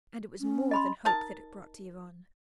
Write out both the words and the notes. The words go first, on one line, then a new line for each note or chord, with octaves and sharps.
And it was more than hope that it brought to Yvonne.
C#4
D#5 B5 C6
D#4 A#4 A5